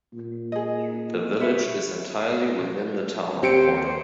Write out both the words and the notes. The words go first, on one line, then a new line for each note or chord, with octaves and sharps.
The village is entirely within the town of Porter.
A#2
G#4 D#5
B4 C#5 E5
D#2 C4 G4 C5 C#7 D7